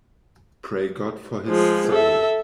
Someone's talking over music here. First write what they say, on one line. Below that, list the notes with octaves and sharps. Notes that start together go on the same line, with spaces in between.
"Pray God for his soul.'".
F3 G#3
A4 E5